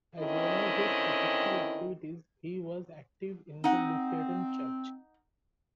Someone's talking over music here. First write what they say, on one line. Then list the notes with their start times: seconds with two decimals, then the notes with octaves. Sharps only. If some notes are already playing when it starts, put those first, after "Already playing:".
As well as his professional activities, he was active in the Lutheran church.
0.19 D3 D#3 C4 C#4 E4 D#5
3.64 C4 D#4 F#5